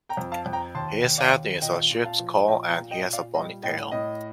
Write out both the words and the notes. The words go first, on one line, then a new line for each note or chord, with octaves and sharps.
His head is a sheep skull and he has a bony tail.
G5 A#5
F2
F5 A5
F2
G5 A#5
D#2 A5 C6
D#2
D5 F5
D#2
A#2 D#5 G5
A#2
F5 A5
F3
A#2 D#5 G5
G5 A#5
A#2
D#5 G5
A#2
D5 F5
G3 D#5
A2 D#5 G5
A2 D#5